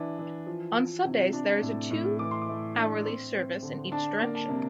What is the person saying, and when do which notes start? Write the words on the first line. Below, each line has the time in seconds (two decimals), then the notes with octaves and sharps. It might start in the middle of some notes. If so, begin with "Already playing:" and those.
On Sundays, there is a two-hourly service in each direction.
Already playing: E3 D4
0.19 E3
0.47 F3
0.76 F3
1.05 C3
1.33 D4
1.62 A2
1.91 A2
2.19 E3 D6
2.31 C6
2.42 D6
2.49 A3
2.77 D4
3.05 C4 C6
3.35 C4
3.63 D3
3.92 D4 A5
4.21 A#3
4.35 A5
4.49 C3